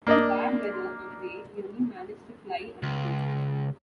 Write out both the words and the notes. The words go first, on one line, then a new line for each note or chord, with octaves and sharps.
Due to bad weather on the day he only managed to fly under two.
A#3 D4 A#4 D5 D#5
C#2